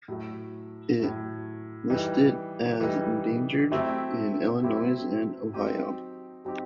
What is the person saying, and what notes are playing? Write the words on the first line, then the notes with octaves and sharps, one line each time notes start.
It listed as endangered in Illinois and Ohio.
A2 F#3 A3
A2 F#3 A3
E3 G3 D#4
E3 G3 D#4
F#3 A3 C4 E4 G4
F#3 A3 C4 E4 G4
F#3 C4 D#4 G4
F#3 C4 D#4 G4